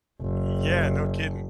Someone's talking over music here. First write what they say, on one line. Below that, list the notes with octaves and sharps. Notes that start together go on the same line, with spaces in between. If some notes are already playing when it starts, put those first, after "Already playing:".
Yeah, no kidding.
F#1